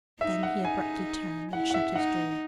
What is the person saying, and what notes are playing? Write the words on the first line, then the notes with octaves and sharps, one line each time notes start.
Then he abruptly turned and shut his door.
D#4 E5
F#5
D#4 G#5
E4 F#5
F#5
E5
D#4 F#5